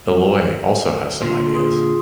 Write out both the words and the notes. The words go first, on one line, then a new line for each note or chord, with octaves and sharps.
Eloy also has some ideas.
A#2 D3 F4
F4 G#4